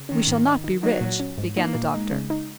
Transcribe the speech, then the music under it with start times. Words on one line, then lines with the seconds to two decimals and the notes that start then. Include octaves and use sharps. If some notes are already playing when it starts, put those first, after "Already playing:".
"We shall not be rich--" began the doctor.
Already playing: C#3
0.09 D#3 C#4
0.27 G#2
0.46 D#4
0.64 D#3
0.83 F#3 D#4
1.01 A#2
1.20 C#4
1.38 G#2
1.56 A#3 D#4
1.75 A#2
1.93 G#3 D#4
2.11 C#3
2.30 D#4